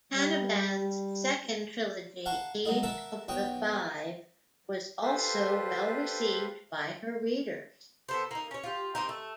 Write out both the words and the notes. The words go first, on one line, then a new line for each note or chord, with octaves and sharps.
Canavan's second trilogy, "Age of the Five", was also well received by her readers.
G3
F5 F#5 A5 A#5 C#6
F#3 G#3 D#4 F4
A#4 E5 F#5 A5 B5
B1 F#4 C#5 G5 D#6
F4 G4 A4 B4 C5
B3 A4 C5
A#3 D#4
C#4 C#5
F4 G4
A#3 C4 D#4
A3